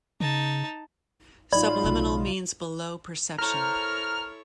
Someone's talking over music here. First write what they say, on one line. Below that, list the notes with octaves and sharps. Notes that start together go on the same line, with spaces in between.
Subliminal means below perception.
C#3 D#4 A5
A1 F#3 D#4 F4 D5 B5
B1 C#3
E4 A4 A#4 C5 C#5 F6